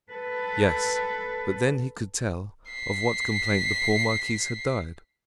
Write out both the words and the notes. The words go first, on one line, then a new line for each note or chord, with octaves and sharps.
"Yes; but then he could tell of what complaint the poor marquis had died."
A4 B4
B6 C7